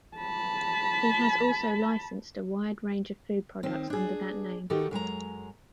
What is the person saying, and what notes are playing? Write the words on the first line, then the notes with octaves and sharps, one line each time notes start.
He has also licensed a wide range of food products under that name.
A5 B5
D#3 C4
D4 G#4
D#3 D#4 F#4 G4 A4
F#2 G#3 G#5 A#5